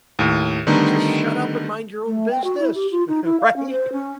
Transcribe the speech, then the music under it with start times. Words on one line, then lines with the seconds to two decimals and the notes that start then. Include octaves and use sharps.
"Just shut up and mind your own business," right?
0.19 D#2 A2
0.67 D3 D#3 G3 A3 B3 D#4
2.06 A3
2.31 G5
2.44 F#4
2.59 E4
2.75 G4
2.92 F4
3.08 D#4
3.25 E4
3.40 F5
3.56 C#4
3.71 C5
3.92 C#4